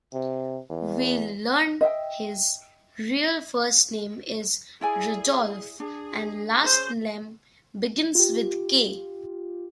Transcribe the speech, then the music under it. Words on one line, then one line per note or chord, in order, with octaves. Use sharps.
We learn his real first name is "Rudolph", and last name begins with "K".
C3
E2
D#5 E5 G5
E4 G#4 D5 G#5
D4 G#4
C#4 G#4 C5
F4 G4